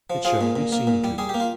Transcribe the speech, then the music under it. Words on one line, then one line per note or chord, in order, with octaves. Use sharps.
It shall be seen to.
F3
F3 F4 G#4
A#2
A#2
A#3
A#2
G3
G3 G#4
A#3 G4
F4